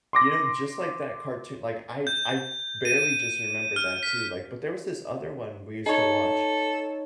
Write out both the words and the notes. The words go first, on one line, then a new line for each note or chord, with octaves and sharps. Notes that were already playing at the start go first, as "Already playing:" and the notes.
you know, just like that cartoon like I I barely just remember that too, like but there was this other one we used to watch,
C6 D6 A#6
G6
D#7
F6
B6
D#4 A4 C#5